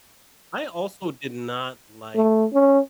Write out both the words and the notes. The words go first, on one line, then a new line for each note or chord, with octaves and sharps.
I also did not like
A3
C#4